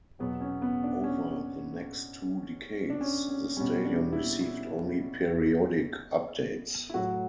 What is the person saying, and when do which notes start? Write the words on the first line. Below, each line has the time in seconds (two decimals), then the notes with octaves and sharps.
Over the next two decades, the stadium received only periodic updates.
0.19 E2 B2 F#3 B3
0.41 C#4
0.62 B3
0.83 D4
1.04 C#4
2.90 D4
3.01 C#4
3.29 C#4
3.57 B2 G3 C#4
3.85 D4
4.12 E4
4.41 E4
6.90 E4
6.94 A2 F#3 F#4